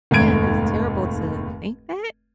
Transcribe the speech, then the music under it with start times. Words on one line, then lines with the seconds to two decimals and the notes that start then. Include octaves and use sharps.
Yeah, that's terrible to think that.
0.11 F1 D#2 G#2 A3 G#6 D7